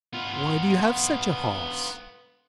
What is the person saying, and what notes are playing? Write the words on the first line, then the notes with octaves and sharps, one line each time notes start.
"Why do you have such a horse?"
B3 F4